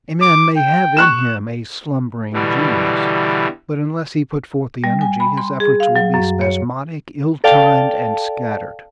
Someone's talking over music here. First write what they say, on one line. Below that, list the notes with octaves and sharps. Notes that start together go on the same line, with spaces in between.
A man may have in him a 'slumbering genius,' but unless he put forth the energy, his efforts will be spasmodic, ill-timed and scattered.
D6
G5
C#6 F#6 E7
B2 D3 E3 G3
G3
G#5
B5
C6
G#4
F5
F#3
F#2
C#5
A4 D5 F5 G5 A5